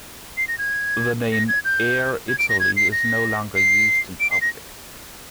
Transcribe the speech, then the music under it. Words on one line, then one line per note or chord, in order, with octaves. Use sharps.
The name "Air Italy" is no longer used in public.
C7
A#6
G#6
A#6
G#6
G6
G#6
D7
A#6
G#6
C7
A#6
C7
D7
C7
A#6